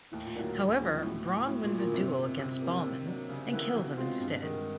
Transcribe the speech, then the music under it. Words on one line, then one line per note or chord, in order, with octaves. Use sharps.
However, Bronn wins a duel against Balman and kills him instead.
D#2 A2
A#2
A2 D3 F#3 A#3 D4
D2
C#3 F3 G#3 B3
A2 F#3
B3 E4
A2 F#3
A#2
A#3 D4
A#2
G2 C3
D#3 G3
C3 G3
A#3 C#4 E4
D#3
F#3 A#3 D4 F#4
C#3 G3
D#3 B3 E4 G4 B4
B2 E3
G#3 C4 F4
G2
D#3 G#3